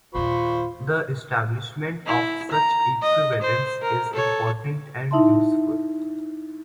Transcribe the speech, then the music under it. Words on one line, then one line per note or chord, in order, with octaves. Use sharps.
The establishment of such equivalence is important and useful.
D#2 A#2 F4 C5 B5 C#6
E4
A#5
D#5
C5
A#4
A4 C#5
D#4 E4 E5 A5 C6